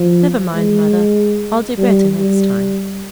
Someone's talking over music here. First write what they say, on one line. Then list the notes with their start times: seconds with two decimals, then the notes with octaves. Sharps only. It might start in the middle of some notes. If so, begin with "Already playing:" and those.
'Never mind, Mother; I'll do better next time.'
Already playing: F3
0.54 G#3
1.78 G3
2.20 G3